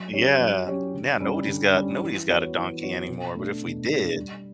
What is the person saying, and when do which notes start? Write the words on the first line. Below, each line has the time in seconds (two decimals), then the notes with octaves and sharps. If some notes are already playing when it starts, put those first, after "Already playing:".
Yeah, now nobody's got nobody's got a donkey anymore, but if we did
Already playing: F#3
0.13 C#4 G4 C#5
0.40 F#3
0.67 C#4 G4 C#5
0.94 D3
1.20 G3 C#4
1.47 D3
1.74 G3 C#4
2.01 E3
2.28 B3 F#4 C#5
2.55 E3
2.81 B3 F#4 C#5
3.09 B2
3.35 A3 D4
3.62 B2
3.90 A3 D4
4.16 G3